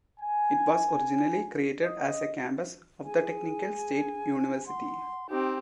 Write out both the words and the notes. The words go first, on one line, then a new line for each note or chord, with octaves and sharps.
It was originally created as a campus of the Technical State University.
G#5
D#5
G#4 G#5
F#5 C6
C4 D#4 G4